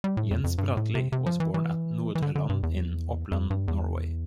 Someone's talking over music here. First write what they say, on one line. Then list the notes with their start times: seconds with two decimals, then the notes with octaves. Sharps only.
Jens Bratlie was born at Nordre Land in Oppland, Norway.
0.04 G3
0.17 A2
0.31 F2
0.44 F2
0.58 G2
0.77 A2
0.95 C3
1.12 C3
1.26 F3
1.40 E3
1.54 E3
2.15 E3
2.22 D3
2.35 D3
2.49 G2
2.63 E2
3.32 F2
3.50 G2
3.68 E2